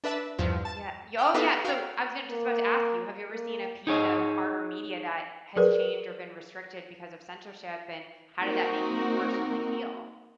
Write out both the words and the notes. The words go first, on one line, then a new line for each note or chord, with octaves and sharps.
Yeah. Y Oh, yeah, so, I was gonna just about to ask you, have you ever seen a piece of art or media that has changed or been restricted because of censorship, and how did that make you personally feel?
D4 B4 E5 A5
E2 G2 F3
A5
G5 F6
B3 D#4 F4 G4 A4 B4
F#4 F5 G5
A#3
A#3
D#4 G#4 C#5 D#5
F#3 G#4 A#4 B4 D5
A#3 C4 D#4 F#4 A#4